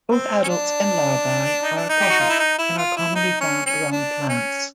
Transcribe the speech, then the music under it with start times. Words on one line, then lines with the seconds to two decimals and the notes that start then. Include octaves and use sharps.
Both adults and larvae are aquatic, and are commonly found around plants.
0.11 C4
0.44 C#4
0.49 D4
1.63 D#4
1.76 D4
1.89 D#4
2.00 G4
2.10 F#4
2.20 F4
2.29 E4
2.39 D#4
2.59 E4
2.78 F4
2.97 E4
3.16 D#4
3.41 C#4
3.66 C#4
3.92 D4
4.29 C#4